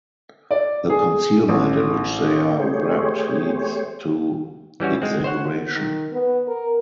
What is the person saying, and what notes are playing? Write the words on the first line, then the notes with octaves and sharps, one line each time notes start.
The concealment in which they are wrapped leads to exaggeration.
D5
G#4
A1
A3 G4 G#4 C5 C#5
E3 G3 C#4 F#4
G#3 C4
C5 C#5 F#5
D#3
B3
A#4